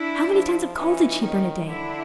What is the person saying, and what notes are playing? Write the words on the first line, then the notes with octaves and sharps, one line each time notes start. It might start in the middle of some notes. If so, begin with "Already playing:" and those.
How many tons of coal did she burn a day?
Already playing: D4 E4
F3
E3 C#4 D#4
D#3
D3 D4 E4